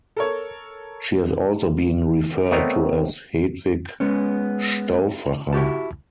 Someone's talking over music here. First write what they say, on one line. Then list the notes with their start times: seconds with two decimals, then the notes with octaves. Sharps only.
She has also been referred to as Hedwig Stauffacher.
0.17 A4 A#4 C#5
2.51 A3 B3 C4 A#4 C#5 D#5
4.00 G#3 B3 C#4
5.53 E4 F#4 G4 A5